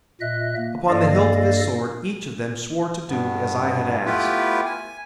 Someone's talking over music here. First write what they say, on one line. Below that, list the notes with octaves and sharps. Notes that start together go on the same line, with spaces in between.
Upon the hilt of his sword each of them swore to do as I had asked.
A#2 D#5 E5 F#6
A#3
G2 A#3 A4 D5 D#5 F5
G2 B3
A3 B3 E4 F4 G4 B4
G#5